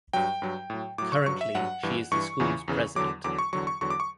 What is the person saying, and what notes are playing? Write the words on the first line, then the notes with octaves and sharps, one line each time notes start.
Currently she is the school's president.
G2 F#3 G5
G2 F#3
A2 F#3
A2 F#3 D6
C#6
G2 F#3 C#6
E5
G2 F#3 F#5
G2 E3
G2 E3 C#6
E2 C#3 E3
E2 C#3 E3
E2 D3 F#3 D6
E2 D3 F#3 D6
C#6
E2 D3 F#3 C#6
C#6
E2 D3 F#3 C#6
D6
C#6